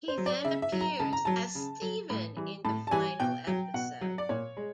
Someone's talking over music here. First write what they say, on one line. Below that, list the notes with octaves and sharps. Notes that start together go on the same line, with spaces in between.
He then appears as Steven in the final episode.
C5
F#3
D5
C#3 E5
E5
F#3
A#5
C#3 A5
A#5
F#3 A5
C#3
F#3
A2
E3 G3
A2 A5
A5
E3 G3 G#5
B2 G5
F#3
B2 F#5
F#3
D5
A#2 C#5
G#3